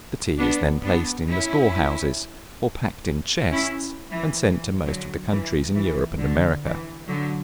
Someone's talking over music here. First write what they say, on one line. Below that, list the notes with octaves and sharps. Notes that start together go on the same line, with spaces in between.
The tea is then placed in the store-houses, or packed in chests, and sent to most of the countries in Europe and America.
B3 D4
B3 D4
C#4 E4
C#4 E4
E3
E3
D3 F#3
E3
E3
D3
E3
D3 F#3